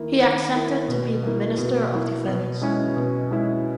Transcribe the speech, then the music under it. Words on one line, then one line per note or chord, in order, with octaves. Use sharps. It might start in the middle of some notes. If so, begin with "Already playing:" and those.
He accepted to be minister of Defense.
Already playing: D#3 A#3 E4
D#3
A#3 E4
B2
A#3 E4
B2
A#3 E4
B2
G#3 C#4 E4
B2
G#3 C#4 E4